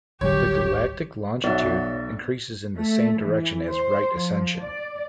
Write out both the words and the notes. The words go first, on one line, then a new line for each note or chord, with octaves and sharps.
The galactic longitude increases in the same direction as right ascension.
D1 G#1 D3 F#3 G3 G4 C#5
B1 F#3 B3 D5 E5 F#5
A3
E3
C5
F3
D5